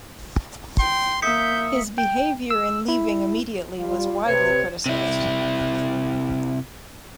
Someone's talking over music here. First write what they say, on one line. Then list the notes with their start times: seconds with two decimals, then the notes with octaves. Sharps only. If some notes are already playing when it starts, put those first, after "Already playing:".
His behavior in leaving immediately was widely criticized.
0.80 G5 C6
1.22 A#3 E5 D#6 G6 B6 C#7
1.98 G5
2.51 E6
2.88 E4
3.78 G3 F4
4.27 C3 B4 C#5
4.86 C3 E4